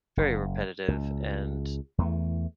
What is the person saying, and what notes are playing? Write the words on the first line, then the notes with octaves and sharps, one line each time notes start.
very repetitive and,
F#1
C#2
E2 E3 A3